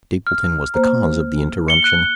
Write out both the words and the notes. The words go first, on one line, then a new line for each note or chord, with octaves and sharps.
Stapleton was the cause of the interruption.
F6
A#3 C5 A#5
C#7 G7
F#6